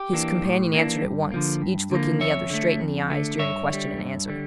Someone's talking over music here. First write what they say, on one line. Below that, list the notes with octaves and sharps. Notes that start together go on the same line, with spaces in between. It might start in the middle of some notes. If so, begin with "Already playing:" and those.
His companion answered at once, each looking the other straight in the eyes during question and answer.
Already playing: G4
E3 A#3 D4
A2
E3 A#3 D4
G2
D3 F3 A#3
G2
D3 F3 A#3
F2 C#5 E5
D3 A3
F2
D3 A3
G2 C#5 E5
D3 G3
G2
D3 G3